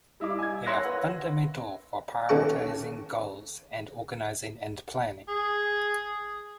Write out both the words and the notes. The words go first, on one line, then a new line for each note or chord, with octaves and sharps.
They are fundamental for prioritizing goals and organizing and planning.
G3 E4 D#5 F5 D6
G#5 G#6
C#5 F5 C6 E6 F#6 A#6
B4 F#5
D#2 C#4 A4 C#6
G#4